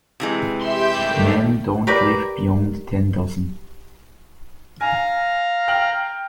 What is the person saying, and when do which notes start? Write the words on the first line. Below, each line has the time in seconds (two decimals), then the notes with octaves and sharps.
Men don’t live beyond ten dozen.
0.20 C3 E3 G#3
0.62 G4 E5 C6 G6
0.94 G2 D#3 G3 A3
1.87 G4 A#4 B4 D5
4.81 F5 G#5 A#5
5.68 G5 F6 F#7